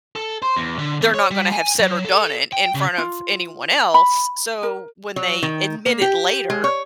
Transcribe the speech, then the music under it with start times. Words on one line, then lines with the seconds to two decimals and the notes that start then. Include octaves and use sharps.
they're not gonna have said or done it in front of anyone else, so when they admit it later
0.16 A4
0.42 C5
0.57 E2
0.79 D3
1.01 E2
1.14 C#5
1.31 G3
1.52 G#5
1.80 F#3
2.05 A4
2.53 G5
2.75 C#3
2.98 F4
3.94 B5
4.63 A#4
5.16 F#3
5.43 D#3
5.86 A#3
6.01 G4
6.50 G#3
6.64 C#5